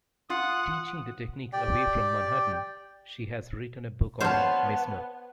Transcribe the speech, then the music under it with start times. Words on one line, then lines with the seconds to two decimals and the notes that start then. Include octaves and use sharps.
Teaching the technique away from Manhattan, she has written a book on Meisner.
0.30 F4 F#5 D#6
1.53 G4 D5 G5
4.20 B3 C5 C#5 F5 A5